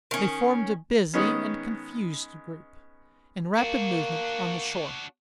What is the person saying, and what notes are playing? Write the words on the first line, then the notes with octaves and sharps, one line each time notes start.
They formed a busy and confused group, in rapid movement on the shore.
D#3 C#4
D#3 G#3 B3 C#4
A#3 D4 F#4